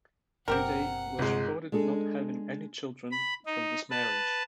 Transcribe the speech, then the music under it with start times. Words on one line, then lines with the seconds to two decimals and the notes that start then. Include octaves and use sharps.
Uday was reported not having any children from his marriage.
0.48 F#1 B2 C4 G4 A#4 F#5
1.19 G1 C3 G#3
1.72 G#3 D4 G#4 A4
3.11 B5
3.46 D#4
3.90 B4 A5